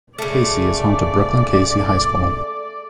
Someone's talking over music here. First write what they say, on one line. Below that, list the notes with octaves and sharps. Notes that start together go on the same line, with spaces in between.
Cayce is home to Brookland-Cayce High School.
C#3 A3 D5